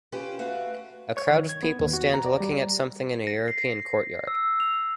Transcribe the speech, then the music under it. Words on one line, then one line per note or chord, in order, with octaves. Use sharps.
A crowd of people stand looking at something in a European courtyard.
C#4 F4 G4 B4 C5
A3 F#4 B4 F5
C#5
D#3
G#6
B3
D#2
F#4
A#5
D5
G3
A#6
C7
E6
F7